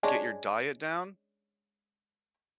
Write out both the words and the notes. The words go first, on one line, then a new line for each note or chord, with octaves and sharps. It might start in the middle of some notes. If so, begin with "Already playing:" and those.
get your diet down
G#3 C#4 D4